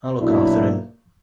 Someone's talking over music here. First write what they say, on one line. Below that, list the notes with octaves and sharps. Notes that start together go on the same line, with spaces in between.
I'll look after him.
B1 A#2 F#3 A#3 D4 E4